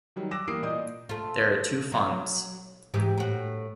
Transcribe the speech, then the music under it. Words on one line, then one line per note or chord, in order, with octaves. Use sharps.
There are two fonts.
D#3 F#3 G3
D6 E6 F#6 A#6 E7
E3 G3 A#3 D#6 C7 D7
A#2 D5 D#5 D#6 G6
A3 F4
F#3
G#2 E3 G4
A2 F#4